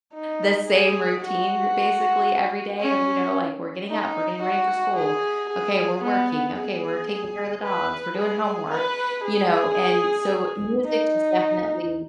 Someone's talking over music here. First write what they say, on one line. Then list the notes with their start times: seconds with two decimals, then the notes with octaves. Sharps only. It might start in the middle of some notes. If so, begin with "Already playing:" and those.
the same routine basically every day of, you know, like, "We're getting up, we're getting ready for school; okay, we're working, okay, we're taking care of the dogs, we're doing homework," you know? And so, music is definitely
0.14 D#4
0.67 G#4
1.21 F#4
2.81 C#4
3.89 D#4
4.42 F#4
4.96 G#4
5.49 G#4
6.03 B3
6.57 G#4
7.63 B4
8.17 G#4
8.70 B4
9.24 G#4
10.85 D#4